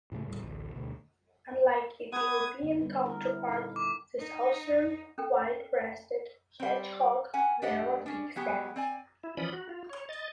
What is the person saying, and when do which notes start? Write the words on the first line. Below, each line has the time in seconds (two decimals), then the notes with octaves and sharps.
Unlike its European counterpart, the Southern white-breasted hedgehog never digs dens.
0.12 A2 C#3 F3 A3
0.27 D#1 D2 A2 G3
0.42 A1 D2
0.76 D2 B2
2.12 B3 B4 D#6 G#6
2.63 D3 A#3 B3
2.81 G3 B3 B4
3.05 E4 A#4
3.25 E4
3.48 A#2 D#4 A4
3.76 D6
4.18 D#4
5.18 C#4 A4 A#4 G5
6.60 G3 C4
7.34 C#4 F#5 G#5
7.62 G3 D4 G4 D#5 F#5
8.06 C#4 D4
8.36 F#3 B3 G4 G#4
8.76 C4 D5 G#5
9.24 E4
9.37 E3 F3 C#4 D5 B5 D#6
9.52 F#4
9.69 F4
9.89 C#5
10.09 D#5 A6